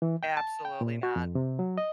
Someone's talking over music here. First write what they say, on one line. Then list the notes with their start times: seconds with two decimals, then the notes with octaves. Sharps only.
Absolutely not.
0.02 E3
0.23 G5
0.37 A5
0.65 G5
0.81 A#2
1.03 F#4
1.16 F2
1.35 C3
1.59 F#3
1.78 D#5